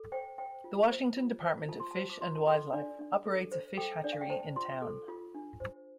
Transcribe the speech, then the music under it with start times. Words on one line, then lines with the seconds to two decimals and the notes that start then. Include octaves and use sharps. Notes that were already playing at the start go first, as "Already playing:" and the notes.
The Washington Department of Fish and Wildlife operates a fish hatchery in town.
Already playing: A4
0.12 C5 G5
0.38 C5 G5
0.64 F4
0.91 C5
1.17 F4
1.43 C5
1.69 F4 A5
1.80 C6
1.91 C5 A5
2.10 D6
2.21 F4 C6
2.35 A5
2.47 A4 C6
2.73 D4 D5
2.99 D4
3.26 A4
3.52 C5
3.77 A4 G5
4.04 D4 D5
4.13 F5
4.21 G5
4.30 C5 A5
4.56 F4 C6
4.82 A4
5.08 F4
5.35 D4
5.60 C5